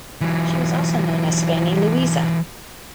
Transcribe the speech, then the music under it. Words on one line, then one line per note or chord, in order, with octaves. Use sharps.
She was also known as Fanny Louisa.
E3 F#3